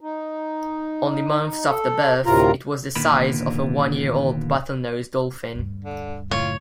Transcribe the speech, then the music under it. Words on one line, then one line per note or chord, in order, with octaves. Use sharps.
Only months after birth, it was the size of a one-year-old bottlenose dolphin.
D#4
A4
D2 A2 C3 F4 A#4 A#5
D#2 A#2 D3 A#3 B3 B5
D2 G2
D3
F#1 A2 F4 C#5